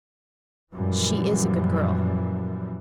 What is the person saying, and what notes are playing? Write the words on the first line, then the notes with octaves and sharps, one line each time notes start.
"She is a good girl."
F#2 A#2 E3 F3 G3